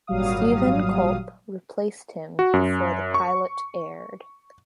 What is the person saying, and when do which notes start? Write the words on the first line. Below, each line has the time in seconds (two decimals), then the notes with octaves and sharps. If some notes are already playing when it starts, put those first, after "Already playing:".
Steven Culp replaced him before the pilot aired.
0.07 G#1 A#2 F#3 G3 F5 D#6
2.39 F#4
2.54 F#2
3.14 C#6